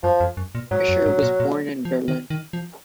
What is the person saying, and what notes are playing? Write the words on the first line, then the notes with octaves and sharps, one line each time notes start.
Fischer was born in Berlin.
F#2 F3
F2
F#2
A#2
G#2 F#3
F#2
G#2
A#2
A#2
F3
D#3
D#3
F3